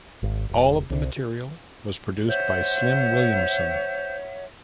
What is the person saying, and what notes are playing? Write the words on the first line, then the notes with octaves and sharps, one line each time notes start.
All of the material was produced by Slim Williamson.
G#1
E1
C2
C5 C#5 E5 F#5